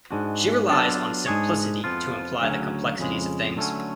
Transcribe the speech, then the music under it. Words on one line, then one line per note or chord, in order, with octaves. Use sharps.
She relies on simplicity to imply the complexities of things.
G#2 G#3 D4 F#4
F#3 B3 D4 F4 A4
G#2 G#3 D4 G#4 C#5
F2 F3 B3 F4
D2 C#3 F#3 C#4
F2 C#3 G#3
D3 F#3 A3 C#4